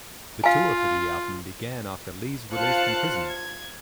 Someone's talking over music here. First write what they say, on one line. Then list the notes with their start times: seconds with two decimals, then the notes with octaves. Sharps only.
The tour for the album began after Lee's release from prison.
0.44 F4 F5 G#5
2.54 F4 C5 F5 A5 F#6 C#7
3.28 G#6